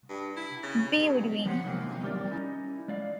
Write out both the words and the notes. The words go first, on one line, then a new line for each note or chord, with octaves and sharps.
B would win.
G2
E4
C#3
G2
F3 B3 G4 C5 C#5 F#5
C3 D#3 F#3 G#3 A#3 C4
G3 G4 A#4 C5 D5
C#4 D#4 E4
G#3 D5 F5